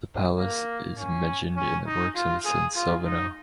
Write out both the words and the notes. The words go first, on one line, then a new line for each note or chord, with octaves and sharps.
The palace is mentioned in the works of Sansovino.
A#3
C#4
C#4
D#4
F4
G#4
F4
D#4